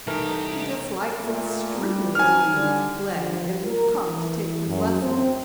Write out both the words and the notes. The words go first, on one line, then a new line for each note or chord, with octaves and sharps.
He dislikes extremely to leave his play and come to take his lesson.
C2 E3 A3 D#4 G4 A#4
A#2 A3
G3
F#2 F3 F#3 G#5 F6
D3 G3
F3
A#4
E3
F#2
C4